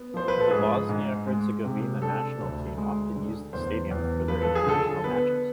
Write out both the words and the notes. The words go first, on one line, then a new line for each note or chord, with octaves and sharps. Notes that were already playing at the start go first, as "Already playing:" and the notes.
The Bosnia-Herzegovina national team often use the stadium for their international matches.
Already playing: B3
F3 C5
B4
A4
G#2 G#4
G#2
G#3
C3
D4 A4
D2
G#3
D3
E2 C5
E2
F3 B4
A4
G#4
D3 A4
B3 B4